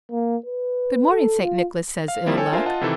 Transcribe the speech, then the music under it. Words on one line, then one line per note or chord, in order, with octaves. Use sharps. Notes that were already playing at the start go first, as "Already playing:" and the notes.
"Good-morning, St. Nicholas," says Ill-Luck.
A#3
B4
A4
F4
F5
F3 G3 A#3 C4 E4 F4
A4 C#5 G5 G#5
D4 F4 A#4 C5 E5 G#5
F4 D#5 F#5 A5
C3 D#3 E3 E4 G4 A4